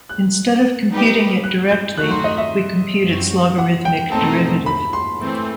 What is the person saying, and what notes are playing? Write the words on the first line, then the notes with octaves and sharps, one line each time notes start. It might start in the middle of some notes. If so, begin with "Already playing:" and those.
Instead of computing it directly, we compute its logarithmic derivative.
F#6
G3 D#4 G4 B4
F#6
G6
D#3 F#3 A3 D#4 F#4 F#6
C6
D#5
E5
F#2 F#3 C4 F#4
F#5
G5
E2 B2 A3 C4 D#4 A5
B5
C6
E3 A3 C4